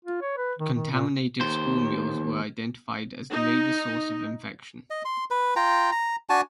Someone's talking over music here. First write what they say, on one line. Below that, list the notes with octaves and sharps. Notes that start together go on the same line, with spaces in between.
Contaminated school meals were identified as the major source of infection.
F4
C#5
B4
D#3
D#3
A#2
D#2 C5
D#4
D#5
C6
B4
F4 G5 A#5
A#5
D4 F#4 G#5 A5